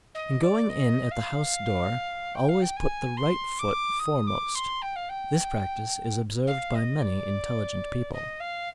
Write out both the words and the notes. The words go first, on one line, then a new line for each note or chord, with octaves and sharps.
In going in at the house door, always put the right foot foremost. This practice is observed by many intelligent people.
D#5
D5
D#5
F5
G5
F5
G5
G#5
C6
D6
D#6
D6
C6
G5
F5
G5
F5
D#5
D5
D#5
F5